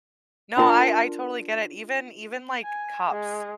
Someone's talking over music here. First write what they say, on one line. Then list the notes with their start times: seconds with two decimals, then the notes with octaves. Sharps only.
No, I I totally get it, even even like cups.
0.57 D4 E4 F4 A#4 A5 A#5
2.64 G#5
3.09 G#3